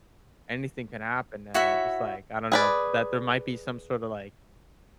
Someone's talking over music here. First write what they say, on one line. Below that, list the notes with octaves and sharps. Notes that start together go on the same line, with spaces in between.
anything can happen now," just like, I don't know, that there might be some sorta, like
E4 F#4 C#5 E5
G#4 B4 D5